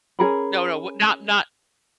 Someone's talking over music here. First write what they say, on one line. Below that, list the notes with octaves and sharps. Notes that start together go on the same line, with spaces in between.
No, no, w not not
C#4 G#4 A#4 B5